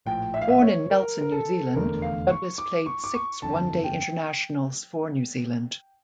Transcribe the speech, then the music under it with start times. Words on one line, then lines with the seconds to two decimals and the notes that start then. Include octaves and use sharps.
Born in Nelson, New Zealand, Douglas played six One Day Internationals for New Zealand.
0.06 A#1 A2 F3 G5
0.34 E5
0.41 F5
0.48 E5
0.62 C#5
0.90 A#4
1.21 A#4
1.32 A4
1.74 F1 E2 D3 A3 A#4
2.02 F5
2.30 C#6
2.58 D6
2.86 C#6
3.04 D6
3.14 C#6
3.42 G1 F2 D3 A5
3.84 G5